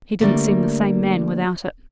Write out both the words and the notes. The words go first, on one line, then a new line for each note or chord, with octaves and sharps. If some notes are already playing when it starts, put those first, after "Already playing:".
He didn't seem the same man without it.
D3 G3 A3 A#3